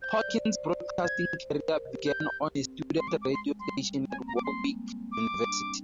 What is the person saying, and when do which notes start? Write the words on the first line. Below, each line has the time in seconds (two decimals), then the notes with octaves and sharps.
Hawkins' broadcasting career began on a student radio station at Warwick University.
0.02 C5 G6
0.20 D5
0.37 D5
0.53 C5
0.66 C5
0.79 D5
0.91 C5
1.04 G#6
1.55 A#4
1.89 G4
2.07 G6
2.57 C4
2.96 G#3 C6
3.08 D6
3.22 D6
3.33 C6
3.59 G3 C6
4.10 C4 G#5
4.23 A#3 A#5
4.36 G3 D6
4.44 G#3 C6
4.62 A#3
5.12 D6
5.30 G3
5.47 D4
5.64 C4